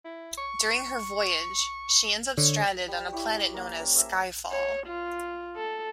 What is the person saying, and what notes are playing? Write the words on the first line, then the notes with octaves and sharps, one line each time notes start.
During her voyage, she ends up stranded on a planet known as Skyfall.
E4
C#6
D3 C#5
G3
E4 G4 C#5
A#3 A#4 F5
C#4 A#4 C5
C5 E5 G#5 A5
C#5
F4
A4